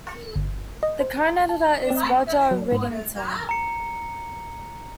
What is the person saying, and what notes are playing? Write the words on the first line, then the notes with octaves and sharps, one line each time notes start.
The current editor is Roger Riddington.
C#7
G1
D#5
C5
A#5
A5
C4
F#3
G#2
A#5 C#7